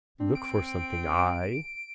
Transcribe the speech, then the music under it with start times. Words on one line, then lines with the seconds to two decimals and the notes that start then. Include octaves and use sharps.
Look for something I.
0.20 C4 D4
0.35 D7